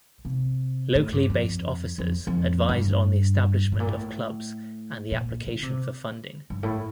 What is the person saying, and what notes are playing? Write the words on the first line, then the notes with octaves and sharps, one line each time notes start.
Locally based officers advised on the establishment of clubs and the application for funding.
C3
A2
G2
F2
F2
F2
G2
A2
A#2
A2
A#2
D3
C3
G2
A2